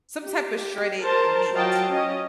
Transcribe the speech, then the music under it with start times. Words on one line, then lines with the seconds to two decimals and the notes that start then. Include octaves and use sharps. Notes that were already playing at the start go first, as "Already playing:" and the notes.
Some type of shredded meat,
0.24 G4
1.03 A#4 C5 A5
1.54 F#3 F4 D#5 F5 G5 A5
1.90 C#4 D#5